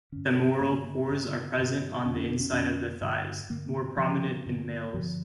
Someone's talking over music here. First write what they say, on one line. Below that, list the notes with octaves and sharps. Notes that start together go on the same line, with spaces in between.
Femoral pores are present on the inside of the thighs, more prominent in males.
G2 D3 C#4
G2 D3 A#3
A#3
G2 D3
G2 D3
F2 D3 C#4
C#4
D4
C#4
F2 D3 C#4
G2 D3
G2 D3 A#3
G2 D3 F3
G2 D3
G2 D3 F3